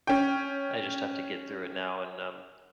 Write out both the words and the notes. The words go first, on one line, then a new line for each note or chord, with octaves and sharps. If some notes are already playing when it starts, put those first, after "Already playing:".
I just have to get through it now and, um,
C#4 G5